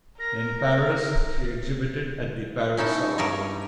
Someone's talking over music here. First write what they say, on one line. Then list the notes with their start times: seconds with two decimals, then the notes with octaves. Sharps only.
In Paris she exhibited at the Paris Salon.
0.19 A#4 A#6
2.77 C#4 D#4 E4 A4
3.18 G2 A#4 C#5 D#5